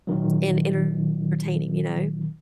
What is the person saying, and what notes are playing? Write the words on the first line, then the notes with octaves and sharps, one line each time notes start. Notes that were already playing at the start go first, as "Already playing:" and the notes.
and entertaining, you know?
A#2 D#3 F#3